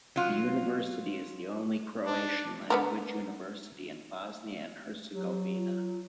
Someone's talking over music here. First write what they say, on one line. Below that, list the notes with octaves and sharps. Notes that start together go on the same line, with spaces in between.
The University is the only Croatian language university in Bosnia and Herzegovina.
F#3 F4
D4
D3 B3 A#4
F#3 G4
F4